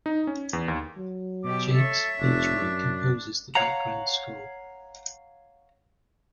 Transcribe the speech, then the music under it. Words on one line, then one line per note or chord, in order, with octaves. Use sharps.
Jakes Bejoy composes the background score.
D#4
C#4
E2
D#2
F#3
B2 G4 D6
A4 C#5 E5
F1 D4
F#2
C#5 F5 F#5 A#5